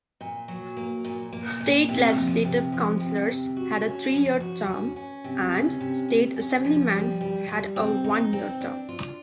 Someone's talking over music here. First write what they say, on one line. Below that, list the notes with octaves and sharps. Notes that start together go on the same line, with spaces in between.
State Legislative Councilors had a three-year term and State Assemblymen had a one-year term.
A#2
F#3
A#3
A#2
A#3
A#2
C3
F3
C3
F3
C3
C3
F#4
C#4
F3
F#4
C#4
C#4
C3
C#4
C3
C3
C#4
F3
G3
G3
G3
C4
D#4
C4
D4
F4